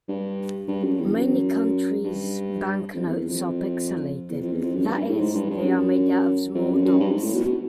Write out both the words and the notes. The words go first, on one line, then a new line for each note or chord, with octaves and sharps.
Many countries' banknotes are pixelated-that is, they are made out of small dots.
G2
G2
F#2
E2
F#2
G2
F2
E2
E2
F2
E2
F2
E2
F2
F#2
G2
G2
A2
G#2
G2
G2
F#2
F2
F#2
F#2
G2
G#2
A2
B2
B2